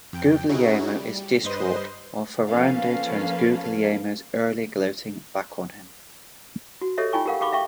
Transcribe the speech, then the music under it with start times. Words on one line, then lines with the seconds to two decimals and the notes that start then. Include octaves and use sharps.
Guglielmo is distraught while Ferrando turns Guglielmo's earlier gloating back on him.
0.13 F2 G5
0.49 C#4 D#4 E4 F#4 G#4
0.91 G3
1.44 G2 B4 C5 D#5 C6
2.48 F3 A#3 C#4 A4 B4 F5
6.81 F#4
6.98 G4 A4 C#5 D#5 E5
7.13 D#4 F4 G5 G#5 C#6
7.26 G4 G#4 A#4 F5 F#5
7.41 G4 G#4 F5 B5 C#6 D6
7.52 E5 F5 G5 C#6